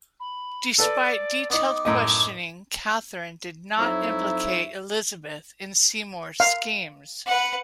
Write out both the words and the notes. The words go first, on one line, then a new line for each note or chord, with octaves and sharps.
Despite detailed questioning, Katherine did not implicate Elizabeth in Seymour's schemes.
B5
A4 B4 D5
B3 D#4 D6
F#2 A2 D#5
F2 F#3 D#4 E4 C#5 E5
F5
B4 F#5